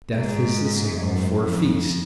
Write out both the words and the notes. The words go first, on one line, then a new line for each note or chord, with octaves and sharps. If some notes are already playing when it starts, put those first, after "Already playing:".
Death is the signal for a feast.
G#2
F#2
F2